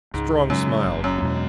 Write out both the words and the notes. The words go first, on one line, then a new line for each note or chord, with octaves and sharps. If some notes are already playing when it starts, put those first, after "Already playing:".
Strong smiled.
C#2 G#2
F#2 C#3 G#3
F#1
F#2
E2 B2 G#3